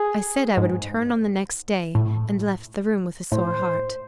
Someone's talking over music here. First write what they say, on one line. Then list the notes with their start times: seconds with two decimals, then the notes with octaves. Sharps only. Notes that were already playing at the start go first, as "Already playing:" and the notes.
I said I would return on the next day; and left the room with a sore heart.
Already playing: G#4
0.57 G#2
1.95 A2
3.32 A2 C5